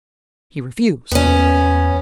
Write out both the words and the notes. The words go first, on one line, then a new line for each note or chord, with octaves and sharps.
He refused.
E2 B3 C#4